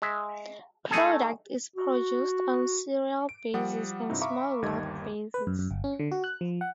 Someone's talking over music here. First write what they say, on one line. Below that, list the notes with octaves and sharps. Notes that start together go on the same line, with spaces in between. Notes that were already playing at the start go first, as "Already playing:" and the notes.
Product is produced on serial basis and small lot basis.
G#3 E5
A3 D#4 G#4 A4
F#4
D7
F3 G3 F#5 D#6
G2 C3 C4 D#4 E4 F#4
E5 F5 A#5 B5 C#6 D6
G1 D#2 D#3 G3 D#5 G#6
B4
F#2
F#2
G1
C#4
D3
F#4
F#6
F3
F#5